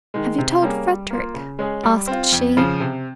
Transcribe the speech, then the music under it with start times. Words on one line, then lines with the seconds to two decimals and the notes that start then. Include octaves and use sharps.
'Have you told Frederick?' asked she.
0.14 D#3 G#3
0.38 C3
0.62 G3 A#3 C#4 G#4
0.86 G3
1.10 A#3 F4
1.34 C#3
1.59 G#3 C#4 G#4
1.84 G3
2.07 C4 F4
2.32 F2
2.57 C#3 F3
2.80 C3